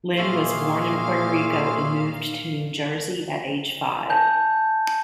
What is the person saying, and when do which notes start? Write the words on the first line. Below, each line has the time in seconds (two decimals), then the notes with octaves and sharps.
Lynn was born in Puerto Rico and moved to New Jersey at age five.
0.17 A#2 G#4 C#5 E5 F5 C6
4.10 G#5 A5 G6